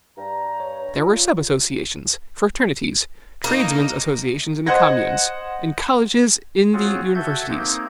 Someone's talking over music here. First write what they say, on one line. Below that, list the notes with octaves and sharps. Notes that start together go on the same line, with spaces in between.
There were sub-associations, fraternities, tradesmen's associations in the communes, and colleges in the universities.
G2 A#5
C#5
F4
A#3 D#4 D#5
C5 D#5 F#5 G#6 A#6
C4 F4 F#4 G#4 C#5
F#4 A4 E5 G6 G#6
A#3 C4 D#4